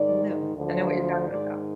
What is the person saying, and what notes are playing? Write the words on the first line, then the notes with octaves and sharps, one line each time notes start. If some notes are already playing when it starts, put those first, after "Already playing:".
I know I know what you're talking about.
Already playing: G#2 D#3 D5
D2 D3 F3
G#2 D#3 D5